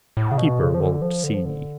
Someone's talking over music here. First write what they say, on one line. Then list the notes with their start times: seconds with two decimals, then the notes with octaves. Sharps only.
Keeper won't see.
0.17 A2
0.31 C#3
0.38 B2
0.59 C#3
0.74 F3
0.80 D3
1.02 F3
1.23 D3
1.34 F3
1.45 D3